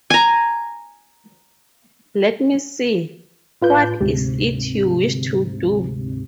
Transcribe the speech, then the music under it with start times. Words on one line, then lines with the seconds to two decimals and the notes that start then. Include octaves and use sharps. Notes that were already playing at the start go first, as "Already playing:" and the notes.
Let me see, what is it you wish to do?
0.10 G#5 A#5
3.61 A2 F4 B4 G6
4.01 D2 G#2 C3